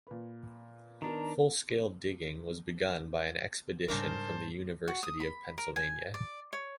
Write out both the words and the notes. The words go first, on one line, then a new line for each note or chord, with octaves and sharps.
Full scale digging was begun by an expedition from the University of Pennsylvania.
A#2 B4
D#3 B3 D4 A#4 A#5
G#2 C#3 G3 D4 A#4 C5 A5
F#4
D#6
B5
A#4
G#5
D5
C#5